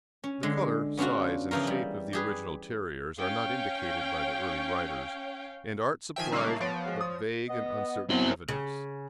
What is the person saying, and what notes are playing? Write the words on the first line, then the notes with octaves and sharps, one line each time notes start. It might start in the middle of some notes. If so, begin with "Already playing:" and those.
The colour, size, and shape of the original terriers are not indicated by the early writers, and art supplies but vague and uncertain evidence.
C#4
D3 G#3
B3 C#4 D4 F4 F#4
C#3 E3 F3 C#4 A#4
G3
G4 G#4 B4
C#4 C#5 F5 G5
D#3 F3 E5 G5 G#5
C#2 G3 A3 A#3 D#4 C#5 C7
F3 B3 C#5 A6 D7
G#3 F#4
D#6
B3 D#5
F#3 B3 C4 E4 C5
C#3